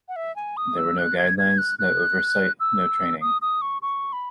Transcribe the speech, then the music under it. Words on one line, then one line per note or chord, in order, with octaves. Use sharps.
There were no guidelines, no oversight, no training.
F#5
E5
G#5
D#6
E6
F#6
G#6
G#6
F#6
F#6
E6
D#6
D#6
C#6
C#6
B5